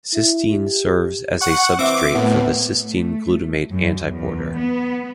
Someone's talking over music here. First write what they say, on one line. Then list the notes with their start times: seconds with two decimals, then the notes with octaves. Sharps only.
Cystine serves as a substrate for the cystine-glutamate antiporter.
0.13 E4
0.51 G4
1.41 F#5 C#6
1.79 C3 E3 C4 E5 D6
2.15 F#2 A2 B3
2.82 A3
3.71 F#2
4.09 E2
4.58 B3